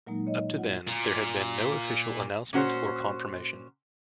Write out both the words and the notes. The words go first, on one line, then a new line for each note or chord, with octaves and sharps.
Up to then there had been no official announcement or confirmation.
A#2 F#3 G#3 A#3 D#4
C#5 D#5
F4 F#5
A#2
A#2 C#4 F#4 C5